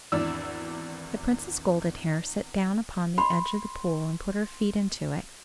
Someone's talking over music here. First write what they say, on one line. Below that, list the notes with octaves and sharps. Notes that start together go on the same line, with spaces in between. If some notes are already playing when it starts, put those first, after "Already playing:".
The Princess Goldenhair sat down upon the edge of the pool and put her feet into it.
G#1 E2 D4 E4 D5 E6
B5 C6